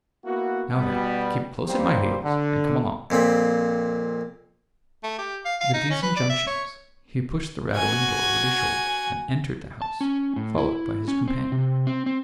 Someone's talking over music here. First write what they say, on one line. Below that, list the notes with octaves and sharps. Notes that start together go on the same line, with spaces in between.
Now, then! Keep close at my heels, and come along.' With these injunctions, he pushed the rattling door with his shoulder, and entered the house, followed by his companion.
A#3 B3 E4 F#4
B2 G3 B3
C#2 G3 A#3 C4 G4 C5
D3
F2 A#2 C4 B5
A3
G4
F5
F5
D#4
C#4
B4
D5
E5
C#5
F#4 G#5
A5
C#4
A2
E4
C#4
C4
C3
C4
C4